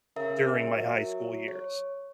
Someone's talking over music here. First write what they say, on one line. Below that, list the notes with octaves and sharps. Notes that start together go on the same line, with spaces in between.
during my high school years.
C#3 A#4 E5
F#3
C#5